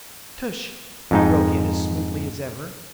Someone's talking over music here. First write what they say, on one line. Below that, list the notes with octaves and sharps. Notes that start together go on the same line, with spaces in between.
"Tush," he broke in as smoothly as ever.
F2 G#2 D#4